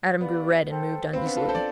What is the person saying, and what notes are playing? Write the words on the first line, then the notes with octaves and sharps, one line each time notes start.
Adam grew red and moved uneasily.
B3 G4 D5 F5 B5
A4 C5 G5
C4 B4 F5 B5
B3 D4
F4 A4
A4 C5
D5